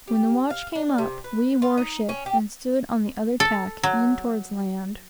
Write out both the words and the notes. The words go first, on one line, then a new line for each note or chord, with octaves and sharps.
When the watch came up, we wore ship, and stood on the other tack, in towards land.
G4
F5
D4
C3
B4
F4
D#4
C#4
G4
A4
F#3